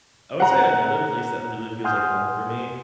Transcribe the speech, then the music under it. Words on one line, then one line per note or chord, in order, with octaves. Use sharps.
I would say another place that really feels like home for me,
F#5 A#5
F#5 G#5 C6 D#6 F6 G6